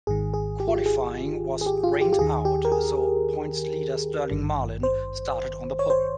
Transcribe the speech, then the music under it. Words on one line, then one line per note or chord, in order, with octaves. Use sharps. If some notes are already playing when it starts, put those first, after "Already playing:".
Qualifying was rained out, so points leader Sterling Marlin started on the pole.
G#1 G#2 D#3 G#4
G#4
G4
F4
G4
G#4
G#4
G4
F4
G4
G4
D#2 D#3 G#4
G4
A#4
G#4
G#1 G2 D#3
C5
C#5
C5